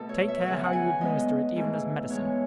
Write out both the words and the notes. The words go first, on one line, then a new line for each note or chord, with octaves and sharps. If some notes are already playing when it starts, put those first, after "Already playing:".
Take care how you administer it even as medicine.
Already playing: B2 A3 A4
C#5
E5
E2 C#3 F#3 F#5
F#5
G#5
A2 G#3 B3 D#5
G#2 E3 A3
A2 E3 G#3 B3 C#5